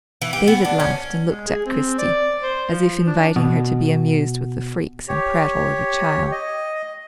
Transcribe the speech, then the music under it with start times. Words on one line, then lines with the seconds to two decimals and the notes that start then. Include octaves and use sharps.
David laughed and looked at Christie as if inviting her to be amused with the freaks and prattle of a child.
0.22 E3
0.33 G4
0.48 B3
0.65 D4
0.80 C#4
1.26 G#3
1.47 G#4
1.66 C4
1.98 D5
2.42 C5
2.71 F3
3.07 D4
3.36 B2
5.08 G4 C#5
6.32 D#5